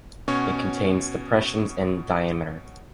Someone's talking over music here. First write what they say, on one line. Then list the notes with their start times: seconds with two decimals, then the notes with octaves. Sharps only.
It contains depressions in diameter.
0.28 B2 C#4 F#4 C#5